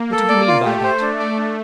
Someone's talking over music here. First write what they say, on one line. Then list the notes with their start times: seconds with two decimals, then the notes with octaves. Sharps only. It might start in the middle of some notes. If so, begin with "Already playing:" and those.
What did you mean by that?
Already playing: A#3
0.12 A4
0.29 D5
0.48 F4
0.65 A3 G4
0.83 C5
1.01 D4
1.19 A3 D5
1.37 D4